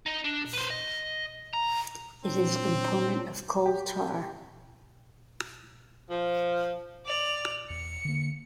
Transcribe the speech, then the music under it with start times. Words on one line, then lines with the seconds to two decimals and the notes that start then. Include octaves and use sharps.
It is a component of coal tar.
0.06 D#4 D#5
0.24 D4
0.53 B4 C5
0.70 D#5
1.53 A#5
2.25 A#2 F#3 C4 D4
3.66 G4
6.10 F3
7.06 D5 F7
7.70 E2 C#7
8.05 D3 A#3